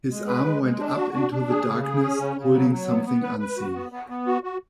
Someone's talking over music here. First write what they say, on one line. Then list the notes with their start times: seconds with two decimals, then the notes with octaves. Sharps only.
His arm went up into the darkness holding something unseen.
0.11 G#3
0.27 B4
0.45 G#3
0.63 G#3
0.79 D4
0.97 F#4
1.14 D4
1.31 D4
1.49 G#4
1.66 C#3
1.83 G#4
2.02 C#4
2.19 C#3
2.36 C#3
2.54 F#3
2.70 F#3
2.88 B3
3.06 B3
3.23 B4
3.40 B4
3.57 F#4
3.75 B3
3.92 B3
4.09 B3
4.27 F#4
4.43 F#4